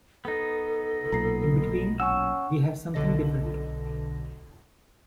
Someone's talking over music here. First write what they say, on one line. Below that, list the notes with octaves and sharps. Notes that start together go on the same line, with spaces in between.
In between we have something different.
B3 D#4 A4
B1 A#2 A#5 A#6 C7
C#4 F#5 G#5 C#6 E6
B1 B2 D3 A4 D#5 A#6